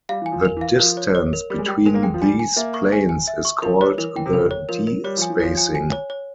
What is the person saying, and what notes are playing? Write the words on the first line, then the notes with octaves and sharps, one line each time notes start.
The distance between these planes is called the d-spacing.
G3 F5
E3 G#5
F3
A#4
E3
F5
F3 A#4
C#5
C#5
A#4
G3 A#4
G#3
G3
G5
G#3 A#4
A#3
G#3 G5
F3
G3 G#5
G#5
A#3 E5
C#6
G#5
G#5
E5
C#6
F3 A#4
G3 C#5
E3 A#4
E3 G5
C3
C#3 A#4
C#5
F3 A#4
A#4
G3 C#5
F3 G#5
E3
F3 C#5
G#5
G#5
C#5
C#5